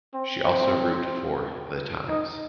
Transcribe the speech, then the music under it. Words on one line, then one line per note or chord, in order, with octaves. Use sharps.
She also wrote for "The Times".
C4
C4
D#4